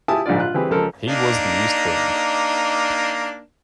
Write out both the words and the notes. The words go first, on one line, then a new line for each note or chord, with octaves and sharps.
He was the east wind.
E4 F4 G4 G#5 A5 D#6
A#1 G#2 D3 F4 D5
F4 F#6
E3 G3 C4 G4 G#4 B4
C#2 F3 A4 A#4
A#3 D4 D#4